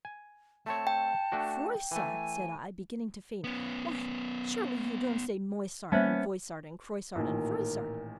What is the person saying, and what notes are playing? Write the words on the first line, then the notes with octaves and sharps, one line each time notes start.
"Froissart!" said I, beginning to faint, "why, surely you don't say Moissart, and Voissart, and Croissart, and Froissart?"
G#5
A3 C4 C#5 A5
G5
A3 D4 F#4
E3 A3 G#5
B3 C#4
G3 A#3 B3 C#4 C5 E5 A5
A1 A#2 D#3 A#4